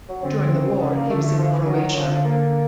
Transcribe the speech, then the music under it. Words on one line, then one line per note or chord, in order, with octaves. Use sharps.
During the war he was in Croatia.
F#3
D3 C4
C#3
C#3 B3
A#3
D3 A3
A3
F3
E3
D#3 F#3
D3 F3
F3
A#3